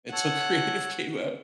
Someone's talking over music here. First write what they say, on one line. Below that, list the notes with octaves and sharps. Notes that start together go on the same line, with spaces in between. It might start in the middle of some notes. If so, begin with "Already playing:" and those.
until Creative came out.
A4 C#5 F#5 A5